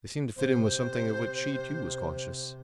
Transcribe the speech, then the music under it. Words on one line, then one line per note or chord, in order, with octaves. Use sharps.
They seemed to fit in with something of which she too was conscious.
C3 C5